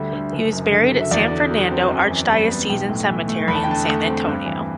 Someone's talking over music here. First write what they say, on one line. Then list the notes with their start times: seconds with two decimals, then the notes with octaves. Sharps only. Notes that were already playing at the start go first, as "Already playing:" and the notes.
He was buried at San Fernando Archdiocesan Cemetery in San Antonio.
Already playing: D2 D3 G3 E5
0.13 D2
0.33 F#1
0.53 F#2
0.72 D3
0.92 F#3
1.01 E5
1.11 E2 D5
1.31 D3
1.51 F#3
1.71 C4
1.90 F#2
2.10 E3
2.30 G3
2.49 B3
2.69 B1 G5
2.89 A2
3.08 E3
3.28 A3
3.48 E2 B5
3.55 A5
3.63 G5
3.68 D3 A5
3.87 A3
4.08 C4
4.27 G2
4.46 E3